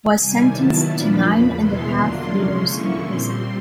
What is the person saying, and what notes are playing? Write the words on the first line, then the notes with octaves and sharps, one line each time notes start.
Was sentenced to nine and a half years in prison.
C3 D#3 G3 G#5
D#3 F#3 B3 E4 A5
A#2 F3 A#3 D4 F4 B5
E2 C#3 F3 A#3
E2 B2 G#3 B3 E4 C6
D3 F#3 A#3 D4 F4 C6
C3 F3 G#3 C#4 C6
D3 F3 A#3 C#4 E4 C#6
A#2 G3 C4 C6